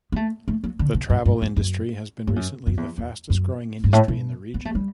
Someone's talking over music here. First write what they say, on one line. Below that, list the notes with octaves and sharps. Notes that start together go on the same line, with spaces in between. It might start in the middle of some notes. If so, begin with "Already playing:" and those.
The travel industry has been recently the fastest growing industry in the region.
B3
A3
A3
F#3
D3
B2
G2
G2
F#2
F#2
G2
F#2
F#2
E2
E2
F#2
G2
A2
B2
B3
A3
G3